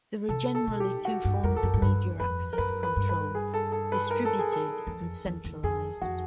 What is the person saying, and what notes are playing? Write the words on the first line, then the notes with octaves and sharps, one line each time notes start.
There are generally two forms of media access control: distributed and centralized.
C3 A4
A4
B2
G4
F#4
G2
F2 A#4
A4
F#2
G#2
G2 B4
F2 B4
A#4
F#2 B4
B4
G2
B4
G#4
A4
A4
B4
A#4
A4
G#4
A4
F2
E2
E2
F2 G#4
F2 F#4